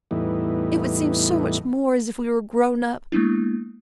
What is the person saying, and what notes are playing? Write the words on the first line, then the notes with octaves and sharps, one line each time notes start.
It would seem so much more as if we were grown up.
E2 A2 E3 G3 B3 D#4
G#3 A#3 B3 D4 E4